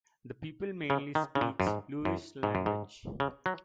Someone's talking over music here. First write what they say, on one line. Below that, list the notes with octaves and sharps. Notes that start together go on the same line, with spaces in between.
The people mainly speak Lurish language.
C#3
D#3
C#3
A#2
F#2
G#2
F#2
G#2
F#2
G#2
C#3
F#3